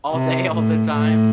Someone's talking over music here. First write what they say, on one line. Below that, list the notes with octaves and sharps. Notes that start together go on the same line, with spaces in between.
all day, all the time?
C3
A2
A2